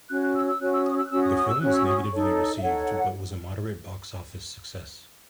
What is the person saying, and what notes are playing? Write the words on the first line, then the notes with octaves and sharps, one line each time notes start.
The film was negatively received but was a moderate box office success.
C#4 F#4 C#5 F#6
F#6
E6
E6
C#4 F#4 C#5 F#6
E6
D#6
E6
F#6
C#4 F#4 C#5 E6
D#6
D#6
E6
C#4 F#4 C#5 F#6
E6
D#6
C#6
D#4 A4 C#5
E5
D#4 A4 C#5 F#5